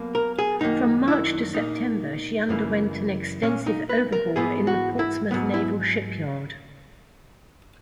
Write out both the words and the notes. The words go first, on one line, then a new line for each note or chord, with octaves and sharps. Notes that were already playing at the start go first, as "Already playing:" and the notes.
From March to September she underwent an extensive overhaul in the Portsmouth Naval Shipyard.
Already playing: B1 B2 A#3
A#4
G#4
F#2 D#3 A#3 D#4
E4
A#2 A#3 D#4
F#2 C#3 E3 A#3
A#2 A#3 C#4
D#4
B4
A#4
G#2 E3 G#3 B3 G#4
F#4
E4
G#2 F#3 B3
E4